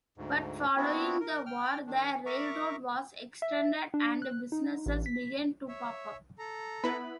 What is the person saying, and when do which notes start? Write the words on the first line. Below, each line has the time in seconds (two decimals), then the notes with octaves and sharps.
But, following the war, the railroad was extended and businesses began to pop up.
0.18 D2 G#2
0.77 B3 C4 D4 E4 F#4
1.20 A#4
1.46 G5 F6
1.87 D#3 D4
2.26 A#4 E5 A#5 C#6 D6
3.42 E5
3.94 D4
4.22 F#6
4.52 D#4
4.86 A1
5.06 B6
5.69 C#5 E5
6.39 A4 A#5
6.84 B3 E4 B4 B5